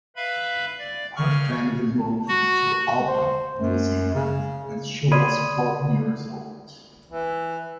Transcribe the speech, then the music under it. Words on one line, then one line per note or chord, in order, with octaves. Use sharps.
Her family moved to Auckland, New Zealand when she was four years old.
B4 E5 F5 B5
D5
C#3 C#6 F6
F#4
C5
F#2
C#3
A#4 D5 B5 C6 D#6 G#6 D#7
E3